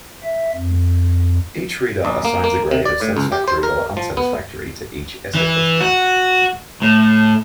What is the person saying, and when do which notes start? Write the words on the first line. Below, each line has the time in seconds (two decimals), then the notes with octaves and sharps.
Each reader assigns a grade of Satisfactory or Unsatisfactory to each essay question.
0.23 E5
0.54 F2
2.05 A#1
2.25 A#3
2.44 A#3
2.71 C3
2.85 D5
3.01 A2
3.17 C#2
3.32 G4
3.48 C5
3.63 A#4
3.97 F3
4.17 B3
5.35 E3
5.81 F#4
6.82 A2